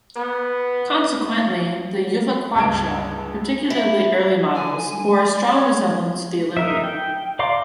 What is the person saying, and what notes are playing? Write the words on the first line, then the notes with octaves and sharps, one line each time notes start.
Consequently, the Juvaquatre, particularly early models, bore a strong resemblance to the Olympia.
B3
C#2 G2 A5 G#6 D7
E4
G#5
D5
C#5
D#4 A#4 E5
G5
D5 F5 A#5 C6 D6